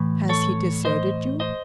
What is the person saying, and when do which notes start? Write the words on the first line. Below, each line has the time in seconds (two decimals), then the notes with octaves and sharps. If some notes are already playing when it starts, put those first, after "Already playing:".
"Has he deserted you?"
Already playing: A2 E3
0.29 A4 C#5
0.85 C5 D#5
1.40 C5 D#5